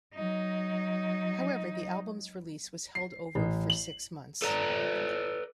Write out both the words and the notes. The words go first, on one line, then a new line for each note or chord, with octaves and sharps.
However, the album's release was held over for six months.
F#3 D#4
C7
A1
F#7
A4 B4 D5 A#5